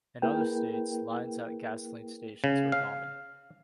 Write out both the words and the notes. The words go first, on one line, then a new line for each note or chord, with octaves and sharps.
In other states, lines at gasoline stations were common.
A#3 E4 G#4 A#4 B4 G5
C#3
F5